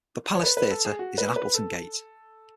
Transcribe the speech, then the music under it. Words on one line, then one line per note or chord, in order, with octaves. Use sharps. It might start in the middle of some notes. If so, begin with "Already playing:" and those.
The Palace Theatre is in Appletongate.
C#5
B4
B4
A4
G#4
F#4
B4
B4
A4